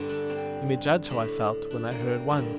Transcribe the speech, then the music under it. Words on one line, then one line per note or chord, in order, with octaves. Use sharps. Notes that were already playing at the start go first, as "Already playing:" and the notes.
You may judge how I felt, when I heard one!
Already playing: G2 D3
D4
C4
A2
D4
A#3
C4
G2 D3 A#3